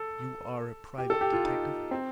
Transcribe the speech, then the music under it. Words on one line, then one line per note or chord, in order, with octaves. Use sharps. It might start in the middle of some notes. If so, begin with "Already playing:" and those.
"You are a private detective?"
Already playing: A4
G4
A4
G4
F4
D#4
C4